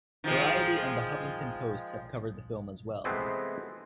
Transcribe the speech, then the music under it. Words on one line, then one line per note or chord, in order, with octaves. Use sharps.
Variety and The Huffington Post have covered the film as well.
D#3 F3 G#3
C3 E3 G#3 A3 B3 C4